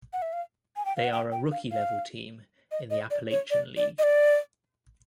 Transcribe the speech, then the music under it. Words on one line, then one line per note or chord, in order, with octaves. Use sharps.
They are a Rookie-level team in the Appalachian League.
F#5
E5
F5
G#5
G5
F5
F#5
G5
G5
F5
F5
D#5
D#5
D5
C#5
D5
D5
D#5
D5